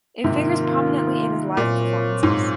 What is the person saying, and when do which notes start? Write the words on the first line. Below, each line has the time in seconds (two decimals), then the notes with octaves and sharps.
It figures prominently in his live performances.
0.24 G#2 C3 D#3 A#3 F4
1.57 A#2 F#3 C4 F4 A#4 C#5
2.23 G#2